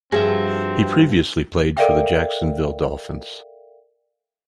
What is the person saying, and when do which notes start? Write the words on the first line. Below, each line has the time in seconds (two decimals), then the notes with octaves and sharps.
He previously played for the Jacksonville Dolphins.
0.12 G2 F3 C4 F#4 G#4 E5
1.77 A4 A#4 D5 E5 F5 G5